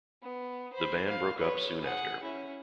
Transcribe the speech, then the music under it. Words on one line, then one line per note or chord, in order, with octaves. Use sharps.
The band broke up soon after.
B3
C5 B5
F5
B4 C#5
G#4 F#5
C#4 E4